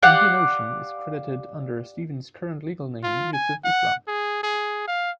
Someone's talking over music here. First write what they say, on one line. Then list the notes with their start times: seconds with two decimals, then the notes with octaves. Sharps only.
"Indian Ocean" is credited under Stevens' current legal name, Yusuf Islam.
0.03 G4 D5 F5 F#5
3.03 F4
3.33 G#5
3.64 F#5
4.08 G#4
4.43 G#4
4.88 F5